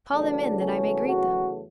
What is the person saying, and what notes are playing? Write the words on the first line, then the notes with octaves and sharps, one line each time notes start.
"Call them in, that I may greet them."
E2 C#3 F#3 A3 D4
C#4
F#4